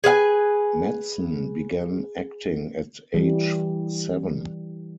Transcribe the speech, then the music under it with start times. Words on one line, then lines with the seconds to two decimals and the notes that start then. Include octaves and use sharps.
Mattson began acting at age seven.
0.04 G#4 B4 F5 G#5
3.14 E3 G3